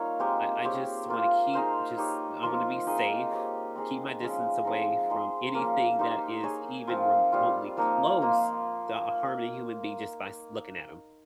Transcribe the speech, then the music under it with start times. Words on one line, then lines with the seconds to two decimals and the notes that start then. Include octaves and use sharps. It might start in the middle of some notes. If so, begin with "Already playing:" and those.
I I just wanna keep, just I wanna be safe, keep my distance away from anything that is even remotely close to harming human being just by s looking at ‘em.
Already playing: G3 A#3 D#4 F4 C#5 F5
0.19 G#3 C4 G4 A#4
0.65 C4 G4 C#5
1.08 A#3 F4 C5
1.53 D#4 G#4 C5 F5
1.98 D#4 G4 C#5
2.43 F3 A#3 F4 C5
2.87 C4 D#4 G#4 D#5
3.31 C4 G4 C#5
3.75 C4 D#4 G#4
4.20 F3 G#3 C#4
4.64 F3 C4 D#4
5.10 D#4 G#4 C5
5.53 F3 A#3 C#4
5.99 D#4 G4 C5 F5
6.43 D#4 G#4 C#5 F5
6.87 F3 C4 F4
7.32 G3 C4 F4
7.77 F3 A#3 D#4
8.22 A#3 F4 C5